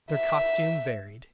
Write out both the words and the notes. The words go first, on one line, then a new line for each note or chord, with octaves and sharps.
Their costume varied.
E5